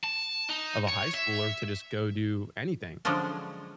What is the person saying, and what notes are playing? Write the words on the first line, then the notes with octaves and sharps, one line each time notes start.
of a high schooler to just go do anything,
A5
D#4
C#5
E5
D3 F3 F#3 G#3 C#4 D4